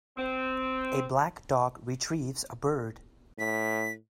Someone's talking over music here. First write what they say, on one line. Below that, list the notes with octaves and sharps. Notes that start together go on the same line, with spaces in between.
A black dog retrieves a bird.
C4
A2 B6